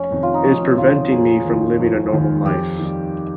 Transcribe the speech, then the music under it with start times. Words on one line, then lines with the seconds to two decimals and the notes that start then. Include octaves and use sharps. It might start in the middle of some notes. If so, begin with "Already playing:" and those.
It is preventing me from living a normal life.
Already playing: F1 C#4
0.11 F2 C3 D#3
0.23 F4
0.34 D#4
0.45 F1 C#4
0.78 F2 C3 D#3 F4
1.11 F1 G#4
1.45 D#2 D#3
1.79 F1
2.13 D#2 D#3
2.45 F2 G4
2.79 D#3
2.84 G3